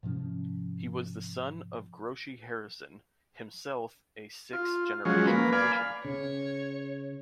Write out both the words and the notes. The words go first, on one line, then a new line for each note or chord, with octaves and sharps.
He was the son of Groce Harrison, himself a sixth-generation physician.
G#2 C3 F3 C#4
F4
F3 F#3 G#3 C#4
A#3 B4
D5 F5 G#5 B5
C#3 C#5